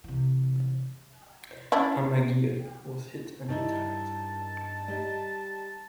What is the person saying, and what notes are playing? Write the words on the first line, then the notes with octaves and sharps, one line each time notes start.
"Amagiri" was hit and retired.
C3 E3
C#4 D4 E4
G2 D#3 D#4 E4 A5
G3 D#4